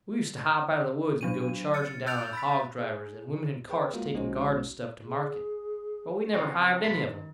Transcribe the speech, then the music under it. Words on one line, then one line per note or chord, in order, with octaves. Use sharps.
We used to hop out of the woods and go charging down on hog-drivers and women in carts taking garden stuff to market, but we never hived any of them.
F#3 D4 D#7
F6 A6 C#7
E6 F#6 G6 A6 D7 F7
B5 A6 B6
G#4
G#4 B4 G5 C#6
G#3 A#3 F4 F#4 A#4
A#1 G#3 C#4 D#4 F#4 C5
G#4
C#3 C4 C#4 F4 F#4
B1 G#2 D3 F4 B5 C6
D#3